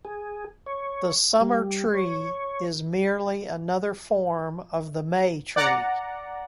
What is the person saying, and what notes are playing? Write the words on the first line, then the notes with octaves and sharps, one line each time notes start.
The Summer-tree is merely another form of the May-tree.
G#4
C#5
G3
C#5
D5 F#5 A#5